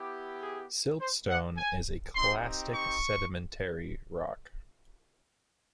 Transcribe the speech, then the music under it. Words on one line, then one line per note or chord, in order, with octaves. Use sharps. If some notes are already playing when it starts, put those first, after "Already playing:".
Siltstone is a clastic sedimentary rock.
Already playing: B3 E4 G4
G#4
C5
F#5
G#5
C4 D#4 G4 C6
C#6